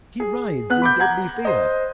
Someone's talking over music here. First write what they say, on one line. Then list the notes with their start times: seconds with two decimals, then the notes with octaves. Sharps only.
He writhes in deadly fear.
0.20 G#4
0.70 B3 F#5 F#6
0.82 B5 D6 G6
1.00 F#5 A#5 G#6
1.45 C5 D#5